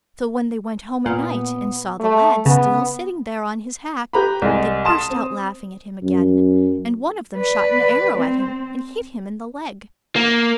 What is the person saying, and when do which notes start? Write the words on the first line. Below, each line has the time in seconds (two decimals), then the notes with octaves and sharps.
So when they went home at night, and saw the lad still sitting there on his hack, they burst out laughing at him again, and one of them shot an arrow at him and hit him in the leg.
1.06 A#2 B3
2.00 A3
2.46 C#3 B3
4.13 G4 B4 A#5 B5
4.42 C2 G#3
4.85 A5 C6 D#6 E7
5.10 C4
6.03 F#2
7.38 B4 D5
8.18 C4
10.16 A#3